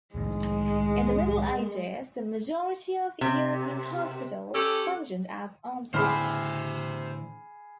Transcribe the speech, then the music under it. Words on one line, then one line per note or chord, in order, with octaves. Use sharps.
In the Middle Ages, the majority of European hospitals functioned as almshouses.
C2 A2 D#3 G#3
C3
C#4 G4 A4
A2 D3 E3 G#4 C5 E5 B5 F6